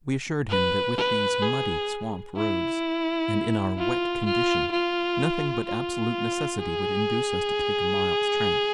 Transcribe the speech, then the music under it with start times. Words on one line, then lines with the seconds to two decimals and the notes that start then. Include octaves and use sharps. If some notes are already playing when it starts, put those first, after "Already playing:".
We assured him that with these muddy swamp roads, and in our wet condition, nothing but absolute necessity would induce us to take a mile's tramp.
0.49 B4
0.96 B4
1.43 G#4
2.37 E4
3.78 F4
4.25 F4
4.72 F4
5.65 F4
6.59 G#4